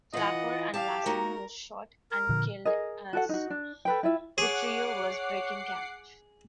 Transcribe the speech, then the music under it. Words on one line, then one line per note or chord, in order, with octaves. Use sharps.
Clapper and Lassen were shot and killed as the trio was breaking camp.
E3 F4 D#5 F#5
G4 F5 A5
A#3 D#4 F#4 A#4
A#4
A#2 D3 F3
G#4 A#4 D#5
F#4 A4 F#5
D#4 F#4
D4
A4 B4 G5
E4 F4 E5
G#4 C#5 F#5 D6 C7